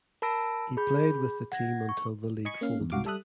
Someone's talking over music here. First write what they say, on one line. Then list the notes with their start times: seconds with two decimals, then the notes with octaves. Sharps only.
He played with the team until the league folded.
0.22 A#4 A5 B5 E6 A#6 D7
0.77 G#4 B5 G6
1.52 F#5 G#6 A#6
1.89 C#6
2.45 D#5 G#5 B5 C#6
2.61 A#3 C#4 F5
2.80 E2
2.92 C2 G#2 F#4 F5 D6
3.05 G3 A4 E5 D#6 F#6